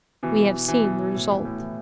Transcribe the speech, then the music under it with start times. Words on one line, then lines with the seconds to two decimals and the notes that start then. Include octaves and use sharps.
We have seen the result.
0.23 B2 E3
0.38 B2
0.54 B2
0.68 B2 E3
0.84 B2
0.99 B2
1.15 A2
1.30 E3
1.45 A2
1.60 E3